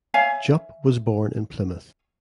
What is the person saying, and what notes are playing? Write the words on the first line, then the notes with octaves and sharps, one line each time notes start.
Jupp was born in Plymouth.
C#5 E5 F5 G#5